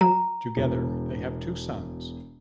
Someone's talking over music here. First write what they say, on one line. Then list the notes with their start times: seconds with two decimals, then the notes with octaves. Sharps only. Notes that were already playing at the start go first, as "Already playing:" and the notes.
Together, they have two sons.
0.01 F#3 A#5
0.57 E1 B2